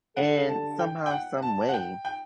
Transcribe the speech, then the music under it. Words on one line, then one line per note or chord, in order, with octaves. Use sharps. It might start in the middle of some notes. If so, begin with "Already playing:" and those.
and somehow, some way,
D3 G3 D4 A4 F#5
A5
G5
G5
F#5
A5
F#5
G5
G5